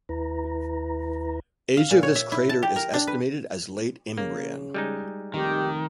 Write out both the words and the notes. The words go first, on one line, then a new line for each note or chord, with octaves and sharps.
Age of this crater is estimated as Late Imbrian.
D#2 E4 B4 A#5
F5
A#2
C#5
E5
E4
A5
G4
A#4
D4
B4
C#3 A#3
G3 G#3 D#4
F1 D#3 G4